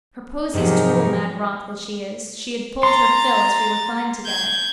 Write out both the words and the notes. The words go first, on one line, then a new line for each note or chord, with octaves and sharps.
Her posies tool Mad romp that she is, she had pulled her fill as we reclined together.
G#2 C3 F3 F#3 D#4 G4 G#4 A#4
A#5 C6 A6
G6 G#6